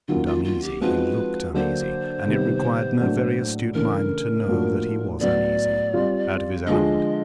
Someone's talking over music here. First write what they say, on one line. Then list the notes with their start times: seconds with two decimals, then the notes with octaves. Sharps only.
He seemed uneasy--he looked uneasy, and it required no very astute mind to know that he was uneasy--out of his element.
0.08 D#3 F#3 A#3 C#4 F4
0.26 F4
0.44 F4
0.63 G4
0.81 F3 G#3 C4 D#4 F#4 B4
1.54 D3 F#3 A#3 D4 C5
2.28 C3 D#3 G3 B3
3.01 A2 F#3 A#3 D4
3.74 C#3 E3 A3 D4 A#4
4.48 A2 F3 A#3 D4 F#4
5.20 A2 F#3 B3 D5
5.94 G3 C4 F4
6.67 D3 F3 G#3 D#5